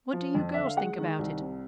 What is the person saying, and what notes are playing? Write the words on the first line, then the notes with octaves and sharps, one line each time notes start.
"What do you girls think about it?"
F3
F2
D3 E5
F5
G#3 F#5
D#3
C2
C3